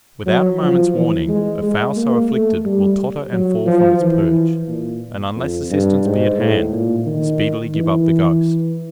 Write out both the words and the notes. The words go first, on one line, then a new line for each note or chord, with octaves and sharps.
Without a moment's warning, a fowl so afflicted will totter and fall from its perch, and unless assistance be at hand, speedily give up the ghost.
F#3
F3
E3
G#3
G#3
A#3
A3
G3
F#3
F3
E3
A#2
F2
G2
G#2
A2
A#2
D#3
E3